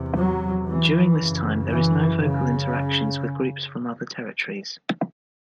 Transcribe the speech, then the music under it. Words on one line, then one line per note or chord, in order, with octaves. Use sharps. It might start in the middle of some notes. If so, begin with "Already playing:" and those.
During this time, there is no vocal interactions with groups from other territories.
Already playing: E2 C3
F#3
E3
F#2 C#3
E3
C#3